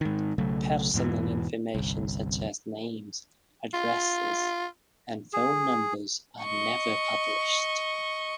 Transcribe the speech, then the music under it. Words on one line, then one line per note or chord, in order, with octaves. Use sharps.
Personal information such as names, addresses, and phone numbers are never published.
G#2 D#3
B1 C#3 F#3 A3
E2 G#2 B2 E3
G1 C2
F4
G#4
D#5 C#6